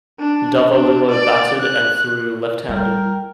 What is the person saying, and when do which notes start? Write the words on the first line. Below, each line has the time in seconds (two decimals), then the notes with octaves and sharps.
Davalillo batted and threw left-handed.
0.20 D4
0.71 D4
1.11 D5
1.60 F#6
2.69 G3 A#4 G5